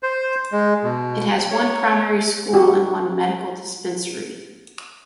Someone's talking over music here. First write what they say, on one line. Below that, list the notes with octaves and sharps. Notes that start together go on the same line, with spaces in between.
It has one primary school and one medical dispensary.
C5
G#3
B2
C#5
F#4 G4